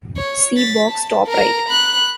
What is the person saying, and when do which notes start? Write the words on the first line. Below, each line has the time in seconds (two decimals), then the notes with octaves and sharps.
See box, top right.
0.17 C#5
0.57 A6 B6
0.90 A5
1.27 A#4 A#5
1.69 B5 F#6